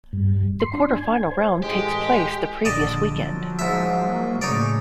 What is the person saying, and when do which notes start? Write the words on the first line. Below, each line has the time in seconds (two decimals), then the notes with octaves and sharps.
The quarterfinal round takes place the previous weekend.
0.13 G2
0.60 C6
0.73 D4
0.93 G#5
1.31 C5
1.63 A1 G#3 G4
2.65 A#1 D3 D5 D#5 A5
3.10 F3 F#3
3.59 G#2 E5
4.08 F#3 A#3
4.41 A2 C#3 D#4 C#5 D5